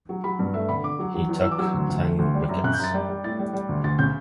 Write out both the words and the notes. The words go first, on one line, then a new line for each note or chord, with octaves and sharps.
He took ten wickets.
F#3
F#3 B5
G2
A3 E5
D3 B5
D3 D6
F#3
F#3
E2
E2 E6
D6
F#3 E6
D2
D2
A3
D2
G3
F#2
C#3 F#6
G6
F#2 A6
G3
G3
A2 A6
G3
G3
D2
D2 A6
C#3 G6